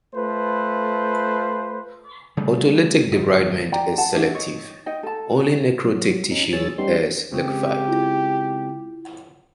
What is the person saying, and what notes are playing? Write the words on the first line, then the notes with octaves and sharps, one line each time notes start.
Autolytic debridement is selective; only necrotic tissue is liquefied.
A3 F4 B4 C5
C#3 G3 A3
G1 G#2
D5 G5 A#5
F#5 A5
C#4 D4 G4 E5
D#4 C#5
D#4 D#5 G5
A4 A5
F#3
C#4 D#4
E2 F#3 G#4 C#5 E6 A6
G3 B3 C#4 D#4 G4 C6
C#3 G#3 C4 G4
E4 F4